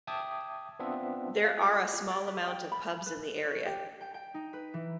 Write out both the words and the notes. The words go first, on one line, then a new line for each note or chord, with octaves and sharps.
There are a small amount of pubs in the area.
E5 G5 A5 D6 D#6 G#6
B3 C4 D4 F4 E5
F5
F4
F4
D5
B4
G5
B5
B4
C#5
G4
G5
G5
D#4
B4
E3